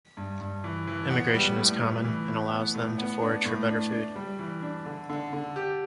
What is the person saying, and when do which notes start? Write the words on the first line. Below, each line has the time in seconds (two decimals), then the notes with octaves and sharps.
Immigration is common and allows them to forage for better food.
0.17 G2
0.40 G2
0.64 E3
0.87 E3
1.11 B3
1.34 G3
1.57 A2
1.81 A2
2.05 E3
2.28 A2
2.51 B3
2.75 A2
2.98 B3
3.22 D4
3.45 A2
3.69 D4
3.92 D4
4.16 G3
4.39 E3
4.62 D4
4.86 D3
5.10 D3
5.33 D3
5.56 G4